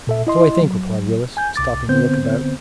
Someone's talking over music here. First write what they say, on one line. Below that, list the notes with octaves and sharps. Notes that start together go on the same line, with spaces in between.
"So I think," replied Willis, stopping to look about.
A#2 A4 E5
E4 D#5 C6
F#3
G#5 G6
C2 D6 A6
D3 B3 C4 C5 G6